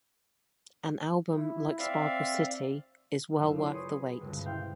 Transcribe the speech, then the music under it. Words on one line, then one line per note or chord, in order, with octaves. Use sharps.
An album like "Sparkle City" is well worth the wait.
E4
C4 D5 E5 F5
F#1 C#3 F5 E6
F4 C#5 D5 C6
G#4 B4 C5 C6 C#6 D#6
C#2 G2 B2 D3
E4 C5 F5 G5